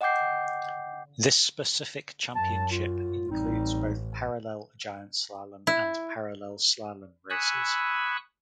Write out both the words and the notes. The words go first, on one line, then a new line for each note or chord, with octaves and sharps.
This specific championship includes both parallel giant slalom and parallel slalom races.
D#5 F#5 G5 D6 G6 C7
F#2 A5
F4
A1 G3 C4 D#4
E4
G#5 B5 C#6 D#6 E6 F#6